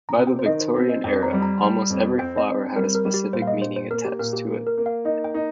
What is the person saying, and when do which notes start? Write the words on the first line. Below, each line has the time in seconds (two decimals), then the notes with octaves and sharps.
By the Victorian era, almost every flower had a specific meaning attached to it.
0.09 A#5
0.17 C3
0.27 G5
0.39 C5
0.46 D#3 D#5
0.60 C5
0.75 C4
0.89 D#5
1.04 F2 G5
1.23 A#5
1.33 G3
1.42 A#5
1.62 G3
1.90 F2
2.18 C4 G5
2.37 D#5
2.48 C4
2.76 G3 A#4
2.95 A#4
3.05 G3
3.14 G4
3.33 A#2 C5
3.42 F5
3.47 D#5
3.62 A#2 C5
3.76 C5
3.91 A#3 A#4
4.05 G4
4.19 A#2 A#4
4.33 G4
4.48 A#3
4.67 A#4
4.77 A#3
4.86 F5
5.05 D#4 D#5
5.24 G5
5.34 D#4